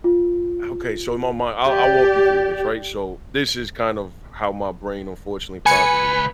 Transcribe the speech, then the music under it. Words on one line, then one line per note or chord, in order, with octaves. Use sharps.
okay, so in my mind, I I'll walk you through this, right? So this is kind of how my brain unfortunately processes it.
F4
G4 D5
C#2 B4 G#5 C#7